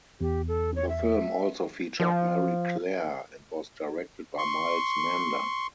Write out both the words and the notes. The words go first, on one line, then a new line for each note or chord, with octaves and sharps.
The film also featured Mary Clare and was directed by Miles Mander.
E2 G4
A4
C#5
E5
F3
C6 C#6